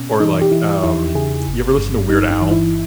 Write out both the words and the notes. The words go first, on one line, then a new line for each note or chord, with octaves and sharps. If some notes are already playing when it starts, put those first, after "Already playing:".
Or, like, um, you ever listen to Weird Al?
Already playing: B2 C#4
E3 D#4
G4
E3 E4
E2 E4
C#3 G#4
G1
G2
G2 D#4
D#4
E3
E4